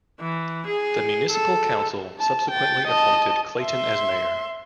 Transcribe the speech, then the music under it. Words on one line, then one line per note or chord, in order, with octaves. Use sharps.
The municipal council subsequently appointed Clayton as mayor.
E3
G#4
A4
A5
G5 A6
D#5 A5
E5 C6